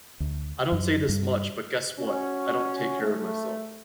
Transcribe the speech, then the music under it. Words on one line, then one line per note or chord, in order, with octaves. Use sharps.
I don't say this much but guess what, I don't take care of myself.
D2
F#2
G2
C#4 F#4
A3